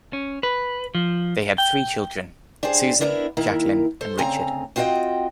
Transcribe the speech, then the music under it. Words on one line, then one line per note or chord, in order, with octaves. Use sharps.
They had three children: Susan, Jacqueline and Richard.
C#4
B4
F3
G5
D4 G4 G#4 C5
B3 D4 E4 A#4
D#3 A#3 E4 A#4
A4 C5
D2 C#3 C4 G#5 A#5
C4 F4 F#4 A4 D#5 G5